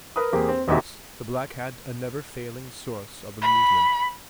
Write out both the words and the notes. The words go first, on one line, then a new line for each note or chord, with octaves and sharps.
Thus the black had a never-failing source of amusement.
A#4 B4 B5 D#6
E2 A#3 C4 G4 G#4
C4
E1 D#2 D#4 F#4 G4 E5
B5